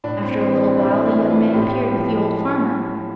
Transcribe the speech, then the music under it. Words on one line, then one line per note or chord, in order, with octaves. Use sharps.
After a little while the young man appeared with the old farmer.
A2 D4
C4
E3 C4
D4
A2 E4
E4
E3
F4
A2 G4
F3